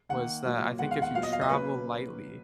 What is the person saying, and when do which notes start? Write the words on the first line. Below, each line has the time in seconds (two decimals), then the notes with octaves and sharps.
was that I think if you travel lightly,
0.09 D#3 A#3 F#5
0.45 A#2 F#3 A#3
0.79 D#3 G#3 B3 F#5
0.91 F5
1.02 F#5
1.14 A#2 F#3 B3 F5
1.23 D#5
1.33 F5
1.41 D#5
1.49 C#3 F#3 A#3 B4